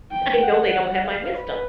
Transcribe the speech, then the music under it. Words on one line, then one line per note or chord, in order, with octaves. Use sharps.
I know they don't have my wisdom.
G5
F#5
F5
B4